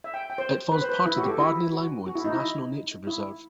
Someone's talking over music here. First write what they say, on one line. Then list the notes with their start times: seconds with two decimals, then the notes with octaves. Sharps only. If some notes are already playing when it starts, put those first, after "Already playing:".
It forms part of the Bardney Limewoods National Nature Reserve.
0.04 E5
0.14 G5
0.30 G5
0.38 C5
0.72 B4
0.81 C5
0.89 B4
1.06 E4
1.17 F#4
1.23 G4
1.28 A4
1.40 E4
1.73 F#4
2.06 F#4
2.15 E4
2.24 D#4
2.33 E4
3.07 E4